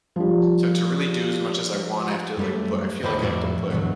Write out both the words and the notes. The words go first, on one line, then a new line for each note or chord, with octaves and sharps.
So, to really do as much as I want, I have to like put I feel like i have to put
F3 G3
F#2 G3 A3
D2 A2 C5 D#5 B5
F2 A2 F#4 D5 E5
D2 G2 B2 D3 E3 F#3